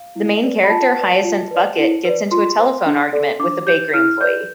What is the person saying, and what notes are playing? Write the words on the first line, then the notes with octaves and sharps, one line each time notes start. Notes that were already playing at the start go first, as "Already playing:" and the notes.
The main character, Hyacinth Bucket, gets into a telephone argument with a bakery employee.
Already playing: F5
E4
G4 B4 D5
B5
F4 A5
B4 D5
F4
B4 D5
E4
B4 D5
F4 C6
C5
D4
A4 D5
D4 D6
G4 B4 G6
E4 F6
B4 D5 G6